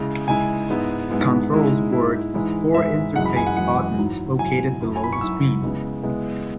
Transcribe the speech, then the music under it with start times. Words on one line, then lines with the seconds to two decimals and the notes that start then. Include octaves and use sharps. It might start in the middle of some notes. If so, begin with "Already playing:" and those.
Controls work as four interface buttons located below the screen.
Already playing: C#3 G#3 E4
0.28 C#3 G#3 E4 G#5
0.69 G#2 G#3 B3 E4
1.10 G#2 G#3 B3 E4
1.51 G#2 G#3 E4
1.92 G#2 G#3 E4
2.33 G#2 E3 G#3 E4
2.74 G#2 E3 G#3 E4 E5
3.16 F#2 E3 G#3 E4 F#5
3.26 B5
3.36 G#5
3.46 F#5
3.57 F#2 E3 G#3 E4 F#5
3.98 G#2 F#3 E4
4.39 G#2 F#3 E4 G#5
4.80 F#2 F#3 E4
4.96 G#5
5.04 B5
5.13 C#6
5.21 F#2 F#3 E4 E6
5.62 C#3 G#3 B3 E4
6.03 C#3 G#3 B3 E4